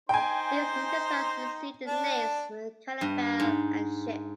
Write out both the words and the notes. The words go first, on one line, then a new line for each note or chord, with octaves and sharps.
These new designs received the names of caravel and ship.
D#4 C5 G5 G#5
D4 A5
G2
G#2